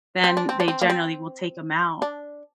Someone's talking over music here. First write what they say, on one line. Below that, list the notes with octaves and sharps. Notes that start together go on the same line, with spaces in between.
then they generally will take them out.
C4
D4
C4
D4
C4
A#3
C4
D4